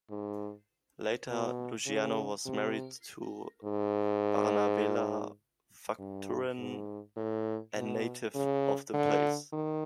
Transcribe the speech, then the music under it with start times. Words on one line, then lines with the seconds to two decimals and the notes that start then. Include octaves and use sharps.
Later, Luciano was married to Bernabela Facturan, a native of the place.
0.10 G#2
1.28 B2
1.86 C#3
2.45 C3
3.64 G#2
5.99 G2
6.58 G#2
7.17 A2
7.76 B2
8.35 C#3
8.94 D3
9.52 D#3